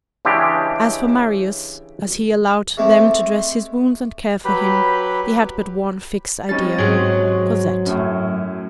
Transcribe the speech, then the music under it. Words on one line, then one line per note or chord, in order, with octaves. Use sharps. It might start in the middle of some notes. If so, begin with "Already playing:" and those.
As for Marius, as he allowed them to dress his wounds and care for him, he had but one fixed idea: Cosette.
C#3 E3 G#3 D4 G4
G#3 A3 C4 E4 G4
F#3 G4 B4 B5
G3 C4 C#4 D#4 A6
G#2 F#3 G#3 C4 G#4 C#5
F#2 A2